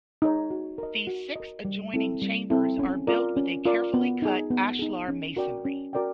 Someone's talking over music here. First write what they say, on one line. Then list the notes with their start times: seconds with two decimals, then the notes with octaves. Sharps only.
These six adjoining chambers are built with a carefully cut ashlar masonry.
0.22 D#4 G#4 C#5
0.50 F#4
0.78 A#4 D#5
1.07 F#4
1.36 A#4 D#5
1.65 G3
1.94 C4 E4 A4
2.22 G3
2.50 C4 E4 A4
2.79 C#4
3.07 F4 A#4 D5
3.37 C#4
3.65 F4 A#4 D5
3.94 B3
4.22 D#4 G#4
4.50 B3
4.79 D#4 G#4
5.08 C#4
5.37 F#4 A#4 D5 G5
5.65 C#4
5.93 F#4 A#4 D5 G5